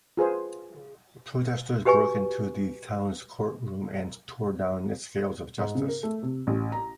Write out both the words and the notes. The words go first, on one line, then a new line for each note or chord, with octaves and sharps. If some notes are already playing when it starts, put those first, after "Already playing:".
Protesters broke into the town's court room and tore down its scales of justice.
F4 G#4 B4 C5
F#4 G4 B4 G#5 C#6
G#2
C#3
A#4
A3
C3
A1
A#5